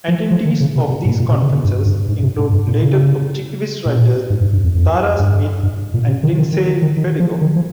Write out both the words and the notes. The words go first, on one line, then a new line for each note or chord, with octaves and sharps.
Attendees of these conferences include later Objectivist writers Tara Smith and Lindsay Perigo.
F3
F3
D#3
C#3
C3
C3
G#2
A#2
C3
C#3
C#3
G2
G2
G#2
C3
G#2
G2
A#2
C#3
A#2
G#2
G2
G2
F2
F2
G2
G2
A#2
C3
D#3
D#3
D#3
D#3
D#3
D#3
F3
D#3
F3